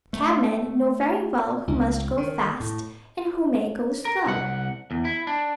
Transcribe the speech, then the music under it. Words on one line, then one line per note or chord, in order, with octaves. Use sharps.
Cabmen know very well who must go fast, and who may go slow.
A3
C#2
D#3
A2
A#4
C2 F#5
E2
E4
D4